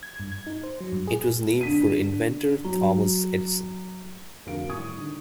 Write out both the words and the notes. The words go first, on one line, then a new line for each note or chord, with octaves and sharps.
It was named for inventor Thomas Edison.
G#6
G2
G#6
D#4
C5
F#3
G2
G#4
D3 B6 D#7
F#3
F1 D3 F#4 A#4 F5 D7
A2 G3 C#6 D#6 G#6
D3 D#3